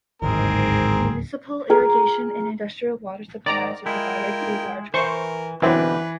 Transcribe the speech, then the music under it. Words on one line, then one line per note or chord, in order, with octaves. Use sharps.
Municipal, irrigation, and industrial water supplies are provided through large wells.
D1 G#1 D#2 G#2 C4 G#4 A#4
G#4 A#4
G#2 D#3 D5 A#5 D7
G#3 E4 F4 A#4 G5
E3 A#4 C5 C#6
F#2 B2 D3 E3 G3 C4 B4